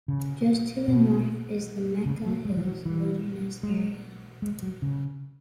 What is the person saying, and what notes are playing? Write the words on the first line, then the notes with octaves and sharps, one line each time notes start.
Just to the north is the Mecca Hills Wilderness Area.
C#3
B2
C#3
F#3
G#3
E3
F#3
E3
G#3
G#3
F#3
C#3